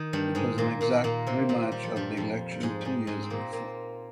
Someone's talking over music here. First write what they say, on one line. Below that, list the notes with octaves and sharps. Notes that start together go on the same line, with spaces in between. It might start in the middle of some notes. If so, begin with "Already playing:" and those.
It was an exact rematch of the election two years before.
Already playing: D#3
G2 G3
G#2 G#3
A#2 A#3
A#2 A#3
A#2 A#3
C3 C4
A#2 A#3
G3
F3
G2 G3
F2 F3
G3
G#2 G#3
G#2 G3 G#3
G#2 G#3
C4
A#2 A#3
A#2 A#3